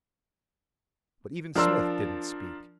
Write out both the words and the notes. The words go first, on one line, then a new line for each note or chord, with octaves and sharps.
But even Smith didn't speak.
F3 D4 A#4 A#5 C6 E6